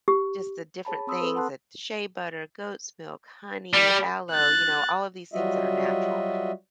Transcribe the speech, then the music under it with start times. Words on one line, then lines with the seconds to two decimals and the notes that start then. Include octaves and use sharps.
just the different things that the shea butter, goat's milk, honey, aloe, you know, all of these things that are natural.
0.08 G4
0.85 G#4 C#5 A5 B5
1.07 C4 B5 C6 D#6 E6
1.21 C4 A4 B4
1.35 A4 F#5 A5 C6 F#6
3.73 G3
4.31 F#6 A6
5.34 F#3 G3 F4 F#4 D#5 E5